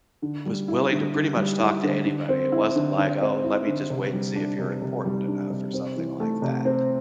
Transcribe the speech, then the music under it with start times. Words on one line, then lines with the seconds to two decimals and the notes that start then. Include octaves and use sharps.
was willing to pretty much talk to anybody. It wasn't like, "Oh, let me just wait and see if you're important enough," or something like that.
0.22 D3
0.46 G3
0.68 E4
0.92 D3
1.15 D3
1.37 G3
1.60 E4
1.83 D3
2.06 D3
2.29 C4
2.52 E4
2.76 D3
2.98 D3
3.21 C4
3.44 E4
3.67 D3
3.90 C3
4.13 G3
4.36 D4
4.59 C3
4.82 C3
5.05 G3
5.28 D4
5.50 C3
5.74 C4
5.97 E3
6.20 A3
6.42 C3
6.65 C4